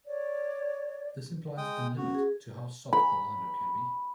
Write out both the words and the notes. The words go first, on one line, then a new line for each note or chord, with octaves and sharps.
This implies a limit to how soft the liner can be.
C#5 D5
G#3 G5 D#6
C#4 F#4
G#4
B5